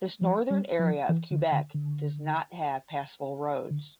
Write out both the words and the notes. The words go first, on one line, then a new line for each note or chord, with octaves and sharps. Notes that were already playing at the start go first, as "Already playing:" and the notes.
This northern area of Quebec does not have passable roads.
F3
G3
F3
E3
D3
D3
D3
D3